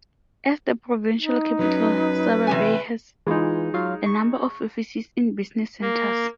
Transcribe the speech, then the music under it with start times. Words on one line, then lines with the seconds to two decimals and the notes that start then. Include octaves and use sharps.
As the provincial capital, Surabaya has a number of offices and business centers.
1.18 D#4
1.59 F#3 C#4 B4
2.47 E2 C3 G#5
3.27 E3 G#3 D#4 F4
3.74 F#3 F4 F5
4.06 C#6
5.81 A#3